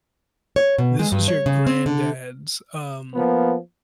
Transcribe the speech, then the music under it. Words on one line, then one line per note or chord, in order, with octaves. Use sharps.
this was your granddad's, um,
C#5
B2
G#3
G2
C#5
C#3
C4
D3
F3 A#3 B3